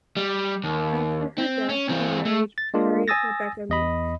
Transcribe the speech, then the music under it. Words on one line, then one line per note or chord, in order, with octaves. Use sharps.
After her death, he married Harriet Rebecca Meek.
G3
D#2
C4
C#4
E3 C4
A3
A6
G#3 A#3 D4 F4
G#5 D#6 E6 A6 A#6
E2 D#5 B5